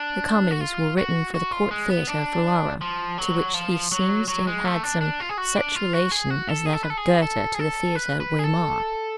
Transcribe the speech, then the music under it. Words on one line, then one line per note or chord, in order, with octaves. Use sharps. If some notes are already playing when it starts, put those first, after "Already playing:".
The comedies were written for the court theatre of Ferrara, to which he seems to have had some such relation as that of Goethe to the theatre at Weimar.
Already playing: D4
F#4
F4
F#4
F#4
F4
G#3
B3
D4
F3
F#3
F3
F#3
F#3
G#3
A3
D4
D4
F4
G#4
F#4
D4
F4
F#4
G#4
F#4
A4
G#4
A4
B4
A4
G#4
A4
G#4
A4
B4
B4
G#4
A4